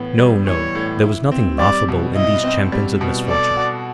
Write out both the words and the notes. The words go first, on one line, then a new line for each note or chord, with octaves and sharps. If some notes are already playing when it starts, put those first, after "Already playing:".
No, no; there was nothing laughable in these champions of misfortune.
Already playing: A2 E3 B3
G3
E3 C#5
A2
E4
C4
G3 D5
B2
E4 D#5
C4
G3
B2
A4 D5
F#4